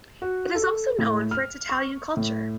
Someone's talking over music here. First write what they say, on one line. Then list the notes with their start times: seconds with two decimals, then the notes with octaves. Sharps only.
It is also known for its Italian culture.
0.22 F#4
0.55 A4
0.98 A2
1.31 F6
1.69 C#6
2.17 A2